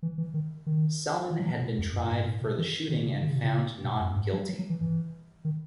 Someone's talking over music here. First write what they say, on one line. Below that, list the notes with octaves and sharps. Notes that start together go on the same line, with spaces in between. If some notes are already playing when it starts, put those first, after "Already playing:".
Selman had been tried for the shooting, and found not guilty.
E3
E3
D#3
D#3
E3
F#3
E3
B2
E2
F#2
G#2
A2
B2
E3
D#3
C#3
D#3
C#3
B2
C#3
B2
F#2
G#2
F#3
F#3
F#3
E3
E3
D#3